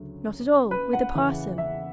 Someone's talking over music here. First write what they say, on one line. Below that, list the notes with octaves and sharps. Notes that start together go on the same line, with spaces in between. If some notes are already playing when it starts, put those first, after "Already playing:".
"Not at all; with a parson."
Already playing: D2 C#3 F#3
B4
F#5
E2 C#3 E3
E5